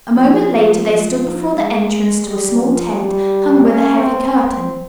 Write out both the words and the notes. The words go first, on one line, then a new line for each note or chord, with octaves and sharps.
A moment later they stood before the entrance to a small tent, hung with a heavy curtain.
F3
F3
G#3
G3
F3
G3
C#4
C4
C4